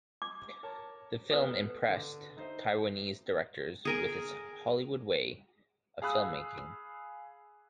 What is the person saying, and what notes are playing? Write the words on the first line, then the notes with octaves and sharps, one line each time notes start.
The film impressed Taiwanese directors with its "Hollywood way" of filmmaking.
D6
A#4 C#5 A5
B3 A4 B4
D3
D#4 C5 E5
G#4 A#4 G#5
G#4 F5 B5 D#6 E6 F#6